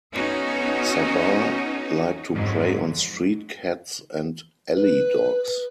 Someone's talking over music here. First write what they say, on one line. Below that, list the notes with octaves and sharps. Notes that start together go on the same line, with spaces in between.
Sabaw like to prey on street cats and alley dogs.
B3 C#4 D#4 F#4 A4
F2 G#2 F#3
B4